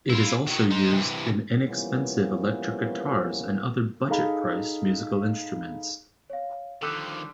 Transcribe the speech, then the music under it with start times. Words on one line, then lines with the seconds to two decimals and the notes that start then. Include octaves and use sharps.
It is also used in inexpensive electric guitars and other budget priced musical instruments.
0.10 E4 F4
0.47 D#3 F#3
0.71 D#4 C5
0.93 C3 E3
1.66 E3 F3 G3 A#3 B3 C#4
4.09 D#4 G#4 A4 F5 A#5 B5
6.30 C#5 F5
6.82 D3 D#3 F3 G3 A4 E6 F#6